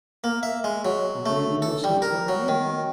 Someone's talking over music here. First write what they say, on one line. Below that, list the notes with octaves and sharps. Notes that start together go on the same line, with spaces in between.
"You really mustn't tell me?"
A#3
E5
G#3
F#3
A3
A4
G3
A#4
F#3
D#3